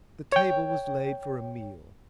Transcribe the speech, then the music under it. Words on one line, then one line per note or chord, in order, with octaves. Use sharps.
The table was laid for a meal.
C#5 G5